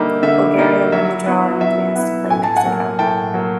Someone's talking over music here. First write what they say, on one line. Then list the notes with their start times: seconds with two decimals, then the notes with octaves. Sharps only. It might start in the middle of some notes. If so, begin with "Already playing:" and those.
Bulgaria won the draw and advanced to play Mexico.
Already playing: D3 G3 A#3 D#4 E5
0.23 D3 E5
0.57 G3 A#3 D#4
0.92 F#3 E5
1.26 B3 E4
1.61 F#3 E5
1.95 B3 E4
2.30 A2 G#5
2.44 A5
2.56 F#5 G#5
2.65 F#3 A#3
2.99 A2 G5 A5
3.34 F#3 A#3